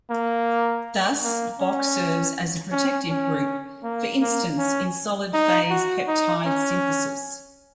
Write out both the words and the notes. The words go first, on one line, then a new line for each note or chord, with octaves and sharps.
Thus, Boc serves as a protective group, for instance in solid phase peptide synthesis.
A#3
A#3
C#4
C#4
C#4
A#3
A#3
C#4
D#4
F#4
D#4
C#4